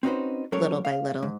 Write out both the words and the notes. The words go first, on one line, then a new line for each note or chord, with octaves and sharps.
little by little.
C4 C#4 D#4 F#4 B4 C5
F#3 C#4 A4 A#4 C#5
F5
G#2